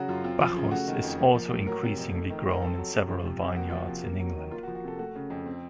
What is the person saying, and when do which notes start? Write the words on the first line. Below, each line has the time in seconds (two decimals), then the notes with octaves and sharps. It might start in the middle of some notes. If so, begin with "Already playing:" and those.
Bacchus is also increasingly grown in several vineyards in England.
Already playing: C#3 F#3 F#4
0.08 F#2 F4
0.24 C4 F4
0.40 F3
0.56 C#3
0.71 A3 F#4
0.88 D#3
1.04 F2
1.19 A#3
1.34 F3
1.51 A2
1.67 F#3 A#4
1.83 C3
1.98 F2
2.14 A3
2.30 D#3
2.46 F2 A#4
2.62 C4 A4
2.78 F#3
2.94 C3
3.09 F3
3.25 C3
3.41 F2
3.56 A#3 F#4
3.70 F3 F4
3.81 F#4
3.88 C3
4.04 A#3
4.20 F#3
4.36 D#3
4.51 A#3 F4
4.63 F#4
4.68 F3
4.75 F#4
4.84 C3 A4
4.99 A3 F#4
5.15 C#3
5.30 F2
5.46 C4